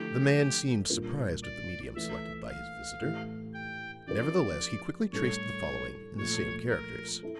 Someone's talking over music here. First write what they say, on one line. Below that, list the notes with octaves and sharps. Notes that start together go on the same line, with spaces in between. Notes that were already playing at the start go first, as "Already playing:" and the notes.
The man seemed surprised at the medium selected by his visitor; nevertheless he quickly traced the following in the same characters.
Already playing: D3 F3 A3 E4 G4
A#2 G3 D4 F4 A#4
D5
E3 A3 E4 E5
F5
A2 E3 A3 E4 G4
G5
F3 C#4 E4 G4 A#4 D5
A2 G3 D4 A4 C#5
A#2 F3 A3 C#5
A#4
E4 A4